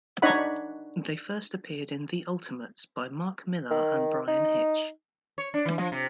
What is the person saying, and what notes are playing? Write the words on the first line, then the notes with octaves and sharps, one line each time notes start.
They first appeared in "The Ultimates" by Mark Millar and Bryan Hitch.
D4 D#4 C#5 D#5 F#5 B5
D#3
D#4
C#5
D4
E3
F3
C3